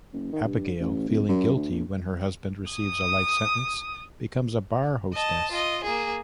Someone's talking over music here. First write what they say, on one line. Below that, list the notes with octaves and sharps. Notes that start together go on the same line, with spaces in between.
Abigail, feeling guilty when her husband receives a life sentence, becomes a bar hostess.
F#1
D#3
G2
A1
D1
F#2
D2
A#1
D#6
D#5 A5
F4 D#5
A#3 G#4